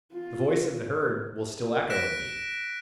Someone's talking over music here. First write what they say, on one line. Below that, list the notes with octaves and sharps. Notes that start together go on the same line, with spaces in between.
The voice of the herd will still echo in thee.
F4
F#6 A#6 B6 D7 E7